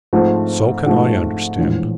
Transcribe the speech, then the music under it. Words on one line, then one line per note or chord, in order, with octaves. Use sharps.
'So can I understand.
G#2 F3 A3 C4
G#2 F3 A3 C4
A#1 A2 E3 G#3